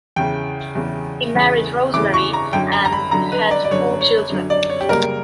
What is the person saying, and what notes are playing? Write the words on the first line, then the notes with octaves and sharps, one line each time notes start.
He married Rosemary and had four children.
E2 C#3 E3 G5
E2 C#3 E3
E2 C#3 E3
E2 C#3 E3 D6
C#6
A#5
F#2 D3 F#3 G5
A#5
A#5
B5
F#2 D3 F#3 A#5
B4
D5
D5
F#2 D3 F#3 C#5
C#5
F#2 D3 F#3
D5
C#5
G4
F#2 C#3 G3 A#3 A#4